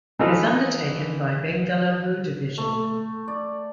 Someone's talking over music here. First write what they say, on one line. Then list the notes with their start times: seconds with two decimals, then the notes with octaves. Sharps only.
It is undertaken by Bengaluru Division.
0.19 E3 D#4 F4 A4
2.58 A3
3.28 D5